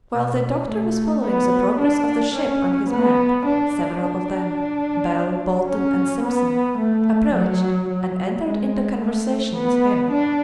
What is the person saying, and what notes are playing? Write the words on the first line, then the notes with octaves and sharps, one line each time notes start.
While the doctor was following the progress of the ship on his map, several of them, Bell, Bolton, and Simpson, approached and entered into conversation with him.
B2
A3
B3
D4
C#4
B3
D4
D4
C#4
B3
A3
F#3
F#3
G#3
A3
B3
D4